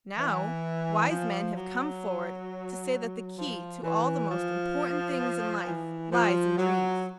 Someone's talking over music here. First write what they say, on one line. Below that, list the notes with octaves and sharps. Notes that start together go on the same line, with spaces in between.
Now, wise men have come forward to say that the key to all the most important things in life lies in dreams.
E3
F3
F#3
F3
E3
F3
E3
F3
F#3